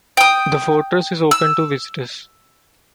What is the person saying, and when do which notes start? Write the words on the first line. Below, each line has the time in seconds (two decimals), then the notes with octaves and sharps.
The fortress is open to visitors.
0.17 G5 D#6
1.31 E6